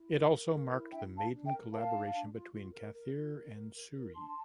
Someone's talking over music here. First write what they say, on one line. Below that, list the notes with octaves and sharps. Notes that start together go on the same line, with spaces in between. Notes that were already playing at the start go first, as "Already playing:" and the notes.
It also marked the maiden collaboration between Kathir and Soori.
Already playing: E4
A#4
A#4
A#4
E4
D4 E5 G5
D4
F5 A5
D4
E5 G5
A#4
A#4 F5 A5
D4
D4
F4
F4
A#4
A#4
F4
A#4
A#4
A#4
A#4
D4 A5 C6